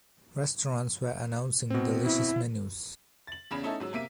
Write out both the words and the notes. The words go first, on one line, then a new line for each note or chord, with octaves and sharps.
Restaurants were announcing delicious menus.
B2 C4
E4
A6 F#7
E2 C#3 C#4 B5 E7
A3 C#4 D#4 E4 A4
G#2 F#3 E6
C3 A#3 E5 B6 D#7